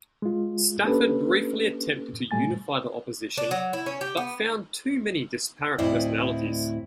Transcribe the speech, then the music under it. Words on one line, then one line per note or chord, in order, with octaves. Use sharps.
Stafford briefly attempted to unify the opposition, but found too many disparate personalities.
G#3 F4
A#3 C#4 D4 G4 A4 B4
A#2 G3 A3 G#5 A6
D4
F#3
E4
C#4
G4
B3
D2 A2 C4 E4 D5 D#5